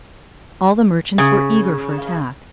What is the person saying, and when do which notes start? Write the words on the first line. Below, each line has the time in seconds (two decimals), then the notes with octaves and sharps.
All the merchants were eager for attack.
1.18 C#3